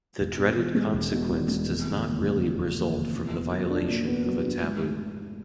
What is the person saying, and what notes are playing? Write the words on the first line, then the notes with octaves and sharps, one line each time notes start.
The dreaded consequence does not really result from the violation of a taboo.
E1
B2
E2
G#3
E1
B2
E2
G#3
F1
D3
D#2
F1
F1
D3
D#2
F1
A#2
B3
F#3
D4
A#2
B3
F#3
D4
G#2
A3